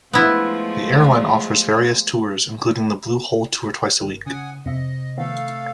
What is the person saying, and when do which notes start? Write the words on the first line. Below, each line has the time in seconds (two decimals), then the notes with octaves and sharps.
The airline offers various tours, including the Blue Hole tour twice a week.
0.13 F3 G#3 A3 B3 E4
4.00 G1 A#4
4.26 C#3 F#5 G#5 D#6
4.66 F2 C3 D#5 E5
5.18 D#3 F3 A3 B3 A4 F5